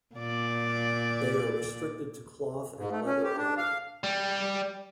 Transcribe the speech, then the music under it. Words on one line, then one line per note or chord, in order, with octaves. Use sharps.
They are restricted to cloth and leather armor.
A#2 D5
G#2
A3
C#4
G4
D4
F5
G3